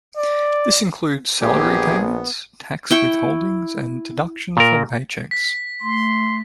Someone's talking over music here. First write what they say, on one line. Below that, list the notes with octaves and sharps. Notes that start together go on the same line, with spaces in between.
This includes salary payments, tax withholdings, and deductions from paychecks.
D5
A#1 B3 G4 G#4
E4 G5 C#6
A#2 A#4
B6
A3 C6